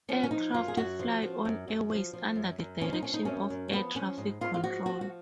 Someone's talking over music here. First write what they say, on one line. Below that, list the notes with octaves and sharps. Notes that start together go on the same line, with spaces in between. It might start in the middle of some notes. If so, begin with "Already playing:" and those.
Aircraft fly on airways under the direction of air traffic control.
F3 C#4
C#4
F3 D#4
F#2 F4
G#4
F#2 F#4
F3
F3
F#2
F#2
F3
F3
F#2
F#2
F3 C#4
D#4
F3 C#4
D#4
F#2 C#4
F#2
C#4
F3 B3
F3 C#4
G#2
G#2 F4
F4
F3 F#4
F3 F#4
F#4